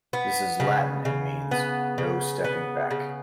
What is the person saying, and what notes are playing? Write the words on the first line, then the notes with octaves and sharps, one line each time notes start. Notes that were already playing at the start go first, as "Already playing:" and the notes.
This is Latin and means 'no stepping back'.
B3
C#3
C#3
B3
C#3
B3
C#3